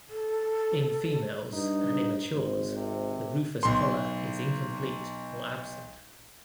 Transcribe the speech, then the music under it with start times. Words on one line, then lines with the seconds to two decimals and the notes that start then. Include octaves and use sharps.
In females and immatures the rufous collar is incomplete or absent.
0.09 A4
1.53 G2 D#4
2.34 G#1 C5
2.77 C3
3.63 B1 C6